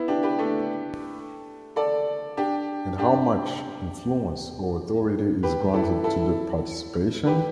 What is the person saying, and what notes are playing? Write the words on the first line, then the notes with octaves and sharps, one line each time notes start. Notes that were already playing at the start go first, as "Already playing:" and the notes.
And how much influence or authority is granted to the participation?
Already playing: B3 E4
D4 G4
G4 B4
A3 D4
A4 D5
D4 G4
D4 G4
G4 B4
E4 A4
E4 A4
G4 B4